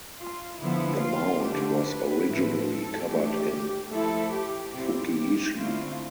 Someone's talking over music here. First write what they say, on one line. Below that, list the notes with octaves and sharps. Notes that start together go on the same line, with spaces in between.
The mound was originally covered in "fukiishi".
F4
D3 F3 B3 E4
F4
D3 A3 D4 G4
B4
A2 F3 C4 E4
A4
E3 A3 D4 G4
F3 A3 E4 A4
G4
C3 G3 C4 E4 G4
D3 A3 C4 E4 F4